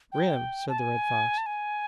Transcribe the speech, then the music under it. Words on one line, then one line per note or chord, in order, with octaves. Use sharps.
"Rim," said the Red Fox.
G5
A5
G#5
A5
G#5